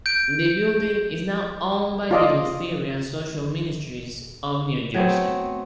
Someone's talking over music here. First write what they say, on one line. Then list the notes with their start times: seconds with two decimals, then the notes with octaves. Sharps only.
The building is now owned by the Lutheran Social Ministries of New Jersey.
0.06 G6 D7
2.11 F4 D5 D#5
4.94 F#3 A3 B3 C4